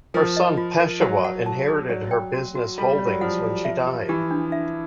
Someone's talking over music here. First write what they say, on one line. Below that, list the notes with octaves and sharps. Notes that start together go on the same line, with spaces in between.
Her son Peshewa inherited her business holdings when she died.
F3 A#4
D#5
F4
A#4
F#3 F#5
F#5
A5
G#4
F#3 D5
G5
F#4
F#4
G3 A4
G3
C#5
F#3
F3 F#5
A4
E5
G4
E3 G4
D4
E5